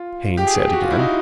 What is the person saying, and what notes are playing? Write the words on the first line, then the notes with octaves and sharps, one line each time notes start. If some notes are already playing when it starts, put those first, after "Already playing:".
Haines said again.
Already playing: F4
G4
G#4
G4
G4
F#4
F4
E4
D#4